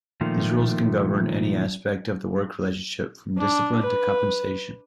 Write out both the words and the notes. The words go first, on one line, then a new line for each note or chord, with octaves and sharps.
These rules can govern any aspect of the work relationship from discipline to compensation.
A#2 D#3 F3 A3
D4
B4